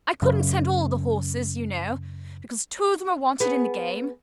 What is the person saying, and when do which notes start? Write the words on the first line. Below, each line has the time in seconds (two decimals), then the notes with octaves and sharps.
'I couldn't send all the horses, you know, because two of them are wanted in the game.
0.22 F#2 C#3
3.40 B3 G#4